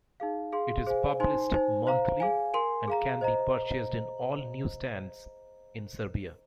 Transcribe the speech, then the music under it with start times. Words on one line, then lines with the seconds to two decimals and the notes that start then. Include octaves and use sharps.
It is published monthly and can be purchased in all newsstands in Serbia.
0.20 D#4 G#4 F5
0.52 G#4 F5 C6
0.87 G#4 C5 F5 G#5
1.20 D#4 C5 G#5 C6
1.54 D#4 C5 G#5
1.87 C5 F5 A#5
2.20 G#4 F5 G#5
2.54 A#4 G#5 C6
2.88 G#4 F5 A#5
3.21 C5 D#5 A#5